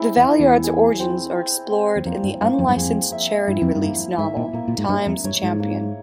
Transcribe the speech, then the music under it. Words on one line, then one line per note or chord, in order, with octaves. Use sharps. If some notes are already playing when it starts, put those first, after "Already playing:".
The Valeyard's origins are explored in the unlicensed charity release novel Time's Champion.
Already playing: C4 E4 G#4
E2
E4
E2
G#4
C4
C4
C4
E2
F2 A#3
G2
G2 A#3
F2
G2
F2 G#4
E5
G2 E4
F2
G2
A#3
G#2 E5
A#2
A#2 A#3
A#2
G#2
G2 C#5
F2
G2 C#5
G#2
A#3